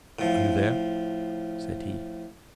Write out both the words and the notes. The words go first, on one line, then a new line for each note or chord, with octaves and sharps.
"Are you there?" said he.
A2 F3